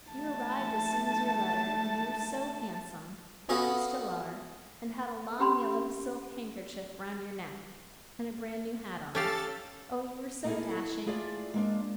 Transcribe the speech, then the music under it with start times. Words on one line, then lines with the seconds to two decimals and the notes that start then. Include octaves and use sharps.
You arrived as soon as your letter, and you were so handsome--that you still are--and had a long yellow silk handkerchief round your neck, and a bran new hat on; oh, you were so dashing!
0.11 A3 A5
3.49 B3 F#4 A4 B4 D#5 F5
5.39 C#4 G4 B5 C6
9.15 C#4 G4 A4 F5 A6
10.44 A#3 D#4 E4 F#4 G#4 A4
10.69 E4 A4 A5
11.06 A3 F4 G#4 D5 E5
11.54 G#3 A#3 D4